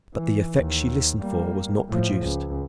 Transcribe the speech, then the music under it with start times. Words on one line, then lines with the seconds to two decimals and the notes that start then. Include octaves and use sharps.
But the effect she listened for was not produced.
0.13 E3
0.58 D#2
1.21 G3 A#3
1.88 A2 F3
2.21 C#2